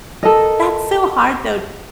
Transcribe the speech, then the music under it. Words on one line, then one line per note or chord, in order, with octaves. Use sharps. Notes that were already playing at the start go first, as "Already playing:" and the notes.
that's so hard, though,
A4 A#4 D#5